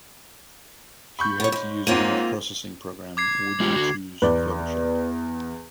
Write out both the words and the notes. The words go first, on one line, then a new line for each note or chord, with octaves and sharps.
If you had to use an image processing program, would you choose Photoshop?
B5 C#6 G6
B3 C#5
E2 G#2
G#2 A#3 C4 C#4 F4 D#7
D6 G#6 C7
G#3 F4 G4
D3 F#4
E2 B4 D5